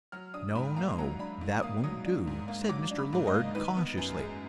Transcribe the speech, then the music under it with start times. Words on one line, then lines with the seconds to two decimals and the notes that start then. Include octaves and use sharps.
"No, no, that won't do," said Mr. Lord, cautiously.
0.12 F#3 F6
0.34 D4 D#6
0.55 G#2 B5
0.76 A#3 A#5
0.98 F#3 A#5
1.19 D4 B5
1.41 G#2
1.62 A#3 D#6
1.84 F#3 D#6
2.05 D4
2.27 G#2
2.48 A#3
2.69 F#3 D6
2.91 D4
2.98 B5
3.13 G#2
3.27 D#5
3.34 A#3
3.55 D#3 B4
3.77 B3
3.98 F#2
4.20 G#3